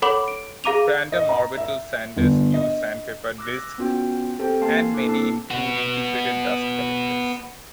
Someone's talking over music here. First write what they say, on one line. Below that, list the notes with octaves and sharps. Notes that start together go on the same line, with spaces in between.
Random-orbital sanders use sandpaper disks, and many include integrated dust collectors.
A4 C#5 F#5 B5 D6 F#7
D7
G#4 F5 A#5 D6 D#7 F7
D#5
A#5
E5
G1
D#5
D6 E6 F#6 A#6
B3 C#4 F4 F#4 G5
C4 G4 A4 C5 G5
A#3 F5 G#5 A5 C6 C7
A#3 D4 E4 A4 D6 F#6
A#3 C4 A5 E6 C7
B3 F#4